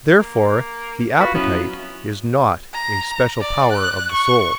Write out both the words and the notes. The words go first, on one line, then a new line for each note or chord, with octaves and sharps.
Therefore the appetite is not a special power of the soul.
A#3
F4 F#4 B4
F#3 B3 C#4 E4
A#5
D5
F#6
C#6